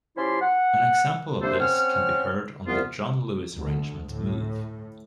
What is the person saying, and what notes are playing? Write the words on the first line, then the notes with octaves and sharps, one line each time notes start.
An example of this can be heard on the John Lewis arrangement "Move".
F3 C#4 E4 G4 D5 C6
F#5
C3 G3 A#3 D4 A4 C5
C4 C#4 C#5 F#5 F6
C2 B3 F4
D2
A2